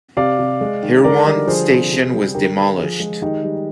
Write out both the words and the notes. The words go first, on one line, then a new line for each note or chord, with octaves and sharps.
Hirwaun station was demolished.
C3 D5 F5
C3
G#3
D#3
D3 A#4 D5
G3
F3 G#4 C5
C3
C3
G3
D3 G4 A#4
D3
F3 F4 G#4
G#3
D#3 D#4 G4
G3